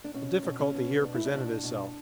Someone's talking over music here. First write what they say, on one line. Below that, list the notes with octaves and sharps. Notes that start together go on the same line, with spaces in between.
A difficulty here presented itself.
D4
B2 C#4
B2
C#4
B2
B2 D4
E4
D4
B2
B2